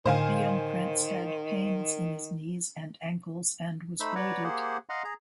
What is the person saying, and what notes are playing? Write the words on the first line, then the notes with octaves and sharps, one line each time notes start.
The young prince had pains in his knees and ankles and was bloated.
A2 D3 D#3 C5 F5 G#5
A3 D#4 C5 B5 E6
B4 C#5 D5 F#5 A#5
A#3 G4 G#4 C5 F#5
D#5 F5 F#5 A#5 C6
G#4 A#5